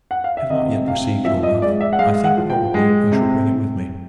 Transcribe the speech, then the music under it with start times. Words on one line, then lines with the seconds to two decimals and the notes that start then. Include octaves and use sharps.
I have not yet received your muff; I think, probably, I shall bring it with me.
0.11 F#5
0.24 F5
0.37 E5
0.50 C3 D#5
0.88 C3 F5
1.25 F3 E5
1.43 D#5
1.62 G#3 D5
1.81 E5
1.93 F#5
1.99 G#3 F5
2.24 F#5
2.37 F3
2.50 G5
2.74 G#3
3.12 C3